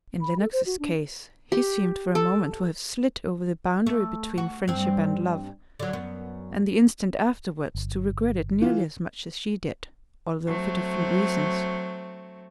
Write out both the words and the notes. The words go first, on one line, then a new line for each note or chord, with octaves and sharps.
In Lennox's case, he seemed for a moment to have slid over the boundary between friendship and love; and the instant afterwards, to regret it nearly as much as she did, although for different reasons.
B5
A4
C5
F#4
D4
G4
A4
A3
F#4
G2 C4
D3 F#3
F#2 B3
G1
E3 F4
F#3 A3 C4